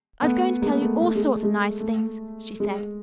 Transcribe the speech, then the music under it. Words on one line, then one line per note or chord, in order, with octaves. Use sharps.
"I was going to tell you all sorts of nice things," she said.
A3 B3
G#3 A#3
A3
A3
G#3
G#3
A3
G#3